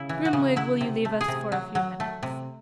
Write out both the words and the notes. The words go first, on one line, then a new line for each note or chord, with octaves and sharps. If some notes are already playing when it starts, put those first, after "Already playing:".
Grimwig, will you leave us for a few minutes?'
Already playing: C#3 E4
E3
F#4
C#3
F#3 E4
C3
A3
G#4
C3
F#3
F#3
A3
C3